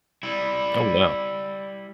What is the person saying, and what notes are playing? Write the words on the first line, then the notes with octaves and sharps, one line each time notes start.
Oh, wow.
G3 E4